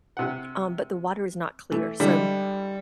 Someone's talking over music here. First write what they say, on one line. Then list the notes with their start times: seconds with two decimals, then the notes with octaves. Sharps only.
um, but the water is not clear, so
0.17 C3 F#5
1.72 E3 A3
2.00 D3 E3 G3 G#3